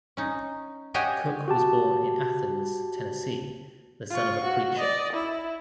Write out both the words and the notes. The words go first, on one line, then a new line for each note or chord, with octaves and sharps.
Cook was born in Athens, Tennessee, the son of a preacher.
C#4 D#4
F#4 G4 C#5 D#5 G5 G#5
F#4 G4 A5
F4 C#6
F#4
D5 D#5
E4